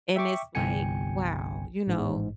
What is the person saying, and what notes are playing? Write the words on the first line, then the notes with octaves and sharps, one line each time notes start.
and it's like, "Wow," you know,
E5 G5 C#6 D6
G1 C2 G5 G#5 C#7
A1 G#2